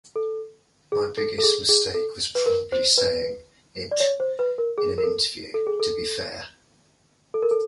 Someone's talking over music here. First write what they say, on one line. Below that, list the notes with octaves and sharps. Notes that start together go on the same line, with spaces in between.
My biggest mistake was probably saying it in an interview, to be fair.
A4
G#4
A4
A4
G#4
G#4
A4
B4
A#4
C5
B4
D5
C#5
C5
B4
A#4
G#4
A#4
A4
A4
G#4
A4
A4
A#4
A4